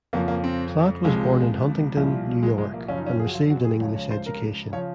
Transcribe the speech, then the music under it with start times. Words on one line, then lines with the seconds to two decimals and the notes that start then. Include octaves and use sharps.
Platt was born in Huntington, New York, and received an English education.
0.13 F2 C#3 F3 A#3
0.28 A#3
0.44 C4
1.05 C#2 C3 F3 G#3
1.97 C2 A#2 F3
2.43 G#3
2.58 G#3
2.74 A#3
2.88 F#2 C#3 F3 C#4
2.98 D#4
3.06 C#4
3.20 G#4
3.27 F#4
3.34 F4
3.50 F#4
3.65 G#4
3.80 C#2 C#3 F3 C#5
3.96 C#5
4.11 C5
4.26 A#4
4.72 C#3 F3 C#5